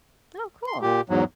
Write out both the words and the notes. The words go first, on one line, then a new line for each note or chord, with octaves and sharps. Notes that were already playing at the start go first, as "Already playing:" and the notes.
Oh, cool.
C6
A#2 G4
E2 G#2 F#3